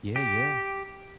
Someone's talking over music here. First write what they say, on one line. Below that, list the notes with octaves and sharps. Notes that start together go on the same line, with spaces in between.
Yeah, yeah.
G4